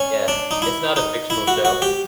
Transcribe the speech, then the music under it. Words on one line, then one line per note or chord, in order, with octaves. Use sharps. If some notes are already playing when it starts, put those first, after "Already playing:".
Yeah, it's not a fictional show.
Already playing: C#4
D4
D#4
E4
D#4
E4
F#4
F#4
G4